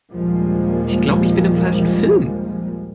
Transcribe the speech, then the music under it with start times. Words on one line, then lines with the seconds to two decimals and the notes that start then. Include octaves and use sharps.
Ich glaube, ich bin im falschen Film.
0.11 A#1 D#2 F3 G3 G#3 A#3